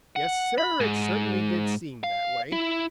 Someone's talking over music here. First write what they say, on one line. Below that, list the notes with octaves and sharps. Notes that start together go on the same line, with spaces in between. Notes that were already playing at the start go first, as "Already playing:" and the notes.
Yes, Sir, it certainly did seem that way.
F#5
B5
G#2
F5
E4